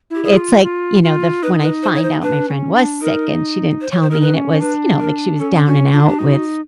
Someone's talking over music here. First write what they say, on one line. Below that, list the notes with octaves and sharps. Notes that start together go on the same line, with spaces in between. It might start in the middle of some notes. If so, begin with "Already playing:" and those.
it's like, you know, the f when I find out my friend was sick and she didn't tell me and it was, you know, like she was down and out with
E4 G4
G#4
F4
F4
F4
D#4 B4
B4
C5
C#5
C5
D4 B4
C#4
D4
D#4 A#4
C5
C#5
C5
D#4 A#4
B4
C#4
C5
D4 B4
A#4
C#4 A4
C#4 F#4
D4 F4
G4
D#4 F#4